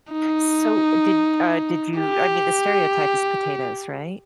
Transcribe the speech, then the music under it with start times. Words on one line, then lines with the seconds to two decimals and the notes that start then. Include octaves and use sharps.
so did uh, did you I mean, the stereotype is potatoes, right?
0.13 D#4
1.99 G4